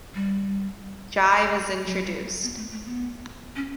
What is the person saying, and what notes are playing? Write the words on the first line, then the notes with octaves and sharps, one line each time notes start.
Jive is introduced.
G3
F#3
G3
B3
A3
A3
B3
C#4